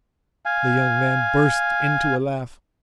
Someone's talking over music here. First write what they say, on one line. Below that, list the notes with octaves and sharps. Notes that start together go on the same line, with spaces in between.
The young man burst into a laugh.
F5 G#5